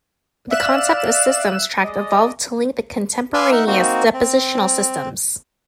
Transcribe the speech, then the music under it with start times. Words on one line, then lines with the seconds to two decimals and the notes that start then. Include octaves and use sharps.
The concept of systems tract evolved to link the contemporaneous depositional systems.
0.51 D5 E5 F5 F#6 E7
1.83 G#3 D5 D#5
3.34 B4 F5 G#5 C6 D6 E6
3.52 D#4 A#4 E5 F#5
3.67 A#3 C4 D#4 F#4
4.13 C4